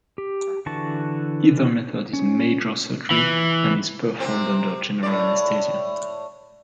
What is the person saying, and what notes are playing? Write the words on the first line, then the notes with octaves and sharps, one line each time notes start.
Either method is major surgery and is performed under general anesthesia.
G4
D3 E3 F#4 A5 C#6
C#4
E3
C3 C4
A2 D5